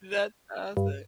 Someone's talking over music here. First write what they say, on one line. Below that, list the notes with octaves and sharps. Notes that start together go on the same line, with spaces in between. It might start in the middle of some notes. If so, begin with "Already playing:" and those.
That's awesome.
G2